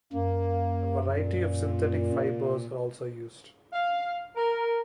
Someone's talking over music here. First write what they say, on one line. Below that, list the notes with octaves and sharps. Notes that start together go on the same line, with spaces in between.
A variety of synthetic fibres are also used.
F#2 A#3
A#2
F5
A#4